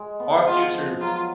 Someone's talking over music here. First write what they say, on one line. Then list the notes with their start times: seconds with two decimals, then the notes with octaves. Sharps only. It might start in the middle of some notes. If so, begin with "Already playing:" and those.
Our future
Already playing: G#3
0.20 B3
0.46 F3 F4
0.74 F3
1.01 F#3 F4